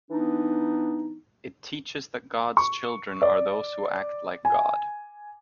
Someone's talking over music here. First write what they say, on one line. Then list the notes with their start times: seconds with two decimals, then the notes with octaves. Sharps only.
It teaches that God's children are those who act like God.
0.11 E3 B3 D4 D#4
2.57 C#6
3.22 D5
4.45 G#5